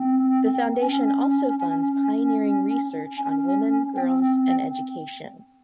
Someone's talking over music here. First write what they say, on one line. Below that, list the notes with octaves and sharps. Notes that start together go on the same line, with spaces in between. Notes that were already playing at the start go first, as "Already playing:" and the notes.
The Foundation also funds pioneering research on women, girls, and education.
Already playing: C4
C#4
C#4
C#4
C4